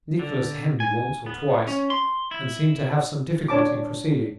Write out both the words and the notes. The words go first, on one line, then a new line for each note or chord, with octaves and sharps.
Nicholas hemmed once or twice, and seemed to have some difficulty in proceeding.
D3
G#5
B3
C#4
C6
E4
D4 C#5 A5 D6